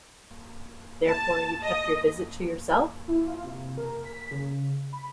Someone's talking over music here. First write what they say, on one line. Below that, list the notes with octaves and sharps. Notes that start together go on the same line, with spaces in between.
Therefore you kept your visit to yourself?
A5
D#5
E4
F4
C3
A#4
B6
C#3
B5